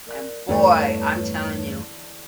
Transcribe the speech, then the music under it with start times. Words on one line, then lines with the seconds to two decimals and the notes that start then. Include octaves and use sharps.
And boy, I'm telling you,
0.07 A#4 D5 F#6
0.49 E2 G2 D3 E3 A3 D4 B4 C#5